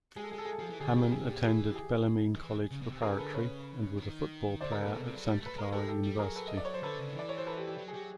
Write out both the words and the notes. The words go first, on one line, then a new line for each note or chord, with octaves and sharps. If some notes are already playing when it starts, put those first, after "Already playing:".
Hamann attended Bellarmine College Preparatory and was a football player at Santa Clara University.
G#3 G#4
A4
G#3 G#4
A4
G#4
A4
F3 G#4
E3
D3 G#4
D#3 G4
C3 G#4
A#2 G4
E3 G#4
G4
G#4
D#3
E3
C#3
B2
C3
C#3 G#4 A#4
D3 A4 B4
C#3 B4 C#5
D#3
D3 C5 D5
G#4 A#4
C#3
A#2 A4 B4
B2
C3
F#3
G3
A3
B4
G#3 A#4
G#3 G4 A4
G4 A4
G3
F3
F#3 G#4 A#4
A4 B4
D#5
D5
C#5
C5
D3 A4 B4
C#3
D#3
E3 D5
C#5
C5
A4 B4
G4
G4
F#3
G#4
F#3 G4